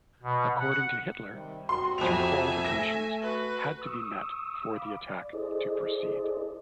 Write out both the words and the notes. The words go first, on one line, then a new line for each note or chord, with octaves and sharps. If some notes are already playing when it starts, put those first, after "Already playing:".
According to Hitler, three qualifications had to be met for the attack to proceed.
B2
F#5
C3 D#3 G3
G3 C4 F#4 C6
F2 E5 G#5 F7
A3 A#6
F#4 B4
C#6 D#6 E6
F5 B5 D6
D5
E4 G#4 A4 C5 D5 D#5